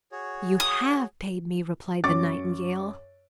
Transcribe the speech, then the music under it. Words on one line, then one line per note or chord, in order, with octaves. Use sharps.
"You have paid me!" replied the Nightingale.
F#4 G#4 C#5
D#6
F#2 C#6 D6 A6